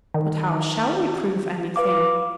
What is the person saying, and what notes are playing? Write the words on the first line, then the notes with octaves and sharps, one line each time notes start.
"But how shall we prove anything?"
D#3
B4 F5 D6